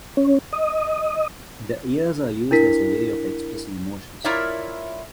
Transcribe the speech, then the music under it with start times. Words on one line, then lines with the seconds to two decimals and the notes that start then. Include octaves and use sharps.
The ears are used as a way of expressing emotions.
0.17 C#4
0.53 D#5
2.51 D4 E4 A#4 B6
4.24 E4 F4 A#4 C#5 D5 E5